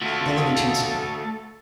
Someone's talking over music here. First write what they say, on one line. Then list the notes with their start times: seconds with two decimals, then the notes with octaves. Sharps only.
The Living Tombstone.
0.02 A3 F4 F#4 A4 E5